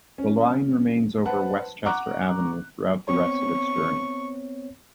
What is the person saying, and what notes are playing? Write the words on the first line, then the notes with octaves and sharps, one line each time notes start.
The line remains over Westchester Avenue throughout the rest of its journey.
C#4
B4 C5 F#5 A5
F#5 A#5 C#6 D6 F#6
B3 C4 C#5 C#6